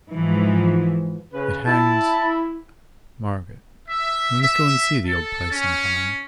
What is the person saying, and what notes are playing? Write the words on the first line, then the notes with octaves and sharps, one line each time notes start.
It hangs--Margaret, we must go and see the old place some time.
G#2 E3 F3
C#3 B4
E4 A5
E5
E5
A4
C#4